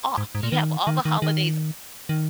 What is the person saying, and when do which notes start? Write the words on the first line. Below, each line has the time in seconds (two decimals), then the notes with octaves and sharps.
off, you have all the holidays
0.18 G#2
0.35 G#2
0.43 A#2
0.52 D#3
0.87 D#3
1.05 D#3
1.22 D#3
2.09 D#3